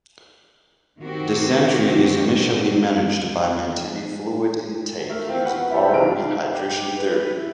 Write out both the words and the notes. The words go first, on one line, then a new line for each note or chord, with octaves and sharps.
Dysentery is initially managed by maintaining fluid intake using oral rehydration therapy.
D#3 C4 F#4 G4
A3 A#4
C4 F4
F#4 B4 F#5
E4 G4 A4 C5
F#1 C2 E3 F4 D7
G4
B4
E4